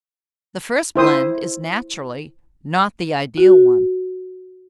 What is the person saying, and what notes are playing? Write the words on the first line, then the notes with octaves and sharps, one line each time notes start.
The first blend is naturally not the ideal one.
E4 C5 D#6
F#4